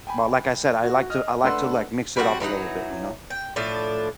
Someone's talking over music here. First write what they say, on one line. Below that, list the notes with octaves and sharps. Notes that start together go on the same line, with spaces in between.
But like I said, I like to I like to like mix it up a little bit, you know.
G5 G#5 B5
F#4
D#5 F6
A3 D4 B4 F#5 C6 E6
G3 C4 F#4 F#5
E3 F#3 D#4 F#5
G5
A2 F3 D4